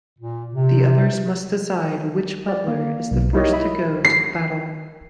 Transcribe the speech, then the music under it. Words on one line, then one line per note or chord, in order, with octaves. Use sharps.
The others must decide which Butler is the first to go to the Battle.
A#2
C3
D5
A#3
B1 B2
D#4 E4 G4 A#4 C#5 D#5
E5 B5
C7